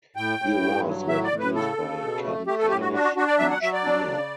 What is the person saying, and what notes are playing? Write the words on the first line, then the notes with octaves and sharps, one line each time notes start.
The awards were produced by Ken Ehrlich each year.
A2 G5
A2
G2
F#3
A2 E5
D5
A2
B4
C#3 A4
C#3
B2
A3
A3 G4
A4
A2 G4
F#4
D4 F#4
F#4
D4 F#4
D5
F#3 E5
F#5
F#3 E5
D5
D4
C#3